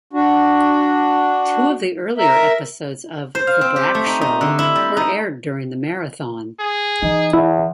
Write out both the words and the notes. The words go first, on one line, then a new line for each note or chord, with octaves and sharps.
Two of the earlier episodes of "The Brak Show" were aired during the marathon.
D4 F#4
A#4 E5
C5
F5
C4
G4
A3
D#4
D#4
D3
E4
G3
D#4
G#4
E3 D#4
E2 E4